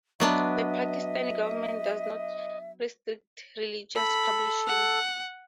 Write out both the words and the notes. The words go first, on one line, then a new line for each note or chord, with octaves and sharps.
The Pakistani government does not restrict religious publishing.
F#3 B3 D4 D#5 E5
A4 B5
F#5